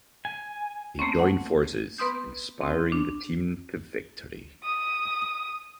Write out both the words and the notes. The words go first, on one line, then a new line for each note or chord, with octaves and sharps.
They join forces, inspiring the team to victory.
G#5
A3 A#3 C4 C#4
F#5
B3 B4 C6 D#6 G6
C4
D4
D#6